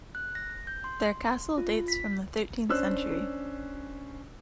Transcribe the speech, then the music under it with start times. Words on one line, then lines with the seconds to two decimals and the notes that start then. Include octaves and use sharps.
Their castle dates from the thirteenth century.
0.15 F#6
0.35 A#6
0.67 G6
0.84 C6
1.58 F4
1.88 B6
2.69 C#4 D4 C5 E6 F#6